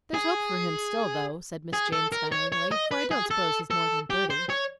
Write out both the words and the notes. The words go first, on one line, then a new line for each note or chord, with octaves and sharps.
"There's hope for him still, though," said Miss Jane smilingly; "for I don't s'pose he's more than thirty."
G#4
G#4
A4
A#4
C#5
C#5
D#5
B4
G#4
A4
A4
G4
C5
C#5